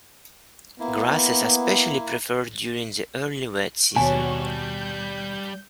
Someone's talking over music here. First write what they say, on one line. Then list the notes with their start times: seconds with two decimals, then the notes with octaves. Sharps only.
Grasses are specially preferred during the early wet season.
0.80 A#3 B3 E4
3.96 D#2 B2 G3 F#4 C#5 G#5 A5
4.46 G6